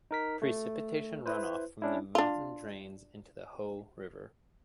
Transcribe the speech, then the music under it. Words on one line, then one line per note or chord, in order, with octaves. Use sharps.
Precipitation runoff from the mountain drains into the Hoh River.
D#4 A#4 B6
A3
E4 B4 C5
C#4 D4 E4
D4 F4